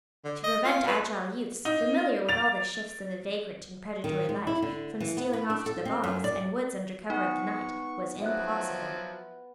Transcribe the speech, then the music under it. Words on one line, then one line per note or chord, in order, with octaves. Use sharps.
To prevent agile youths, familiar with all the shifts of a vagrant and predatory life, from stealing off to the bogs, and woods under cover of the night, was impossible.
D3
D#5
F4
B4
D#4
A6 F7
D#3
G#3
E4
D3
E3
B3
B4
D4
A4
C4
F#2
D5
B3 D#4 C#6
F3 F#3 E5 F#6